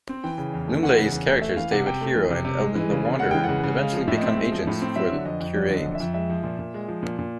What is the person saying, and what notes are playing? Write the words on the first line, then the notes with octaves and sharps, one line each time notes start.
Lumley's characters David Hero and Eldin the Wanderer eventually become agents for Kuranes.
C4
E3 G5
C#3
E2
A3
E3 F#5
C#3
E2
A3
A3 E5
E3 F5
C3 F#5
C3 G5
A3
E3
C3
C3
G#3
E3
C#3
C#3
G#3 F#5
E3 G5
C#3 F#5
C#3
G#3 F5
F3
A2 E5
D#5
C4 E5
G#3
F3
A2
C4
F#3 E5
D3
F2 D#5
F2
F#3 D5
D3
D#5
F2
E5
F2
G#3 E5
F3
A#2
A#2
G#3
F3
A#2
A#2